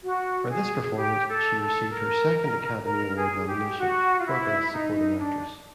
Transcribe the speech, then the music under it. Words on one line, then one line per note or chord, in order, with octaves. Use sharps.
For this performance, she received her second Academy Award nomination, for Best Supporting Actress.
F#4
G#4
G4
A4
A4
A#4
A#4
G#4
G4
F#4
F4
E4
D#4
D4